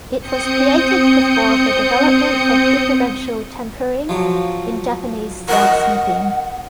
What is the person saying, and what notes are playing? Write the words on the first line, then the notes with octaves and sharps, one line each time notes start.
It was created before the development of differential tempering in Japanese swordsmithing.
C4 D#6 G6 C#7
F3 F#3
A#4 D#5 F#5